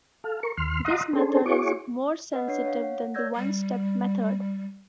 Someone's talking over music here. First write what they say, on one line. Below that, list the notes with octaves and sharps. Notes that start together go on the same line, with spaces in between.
This method is more sensitive than the one-step method.
A4 F5
A#4 C#6
D#2 C6 F6
D#5 F5 F#5 A#5 C6 D#6
C#4 D4 G#4 A4 C5
E4 F#4 G#4 C#5 C#6 D6
B4 D#5 F#5
D4 C#5 C7
C#5 F5
F#5
C#5 D5 E6 G6 G#6 A#6
G3